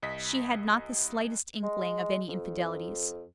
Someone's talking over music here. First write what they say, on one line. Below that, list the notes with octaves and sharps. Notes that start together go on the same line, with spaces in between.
She had not the slightest inkling of any infidelities.
C2 D#5 B6
G#3
F2